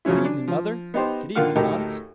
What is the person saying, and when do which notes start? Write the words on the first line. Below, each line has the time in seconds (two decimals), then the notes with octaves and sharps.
'Good evening, mother.' 'Good evening, Hans.
0.05 C#3 F3 F#3 C#4 E4
0.25 D4
0.48 F3
0.94 B3 D#4 G4 C5
1.35 D3 D#3 A#3 F4 F#5 F6
1.56 D2 A2 D#4 G4 A4 A#4